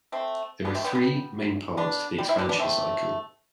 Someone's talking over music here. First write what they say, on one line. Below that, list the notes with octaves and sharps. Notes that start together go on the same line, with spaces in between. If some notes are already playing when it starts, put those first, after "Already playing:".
There are three main parts to the expansion cycle.
A3 C4
B3 D4
A3 C4
G3 B3
G3 B3
B3 D4
G3
C4 E4
B3 D4
B3 D4
A3 C4